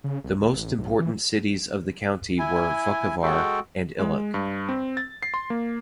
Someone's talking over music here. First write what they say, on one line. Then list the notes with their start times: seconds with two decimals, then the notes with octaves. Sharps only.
The most important cities of the county were Vukovar and Ilok.
0.04 C#3
0.24 C2
0.40 D2
0.52 A1
0.78 B1
0.99 E3
2.39 E4 G#5
3.23 G#3 F#4 A4 G5
3.99 G#3
4.34 G2
4.69 C4
4.97 A6
5.23 C7
5.34 C6
5.50 A#3